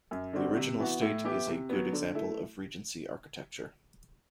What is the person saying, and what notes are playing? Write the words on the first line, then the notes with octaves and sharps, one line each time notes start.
The original estate is a good example of Regency architecture.
F#2
D3 G3 C4 F#4
C3
E3 B3 F#4
A2
E3 B3 E4 G4
C3
F#3 B3
D3
A3 E4